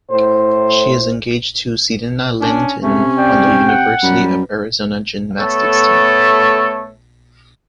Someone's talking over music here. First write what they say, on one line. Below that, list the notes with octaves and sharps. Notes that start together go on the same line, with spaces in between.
She is engaged to Sirena Linton on the University of Arizona Gymnastics Team.
A2 C5
C#4 D4
C3 A3 C#4
D5 G5
F#5
F#2 G3
A3 B3 A4 C#5